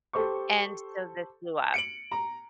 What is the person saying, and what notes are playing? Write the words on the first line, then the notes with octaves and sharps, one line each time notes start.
And so this blew up.
G4 A4 C5 C#6
C#7 D7 F#7
A#5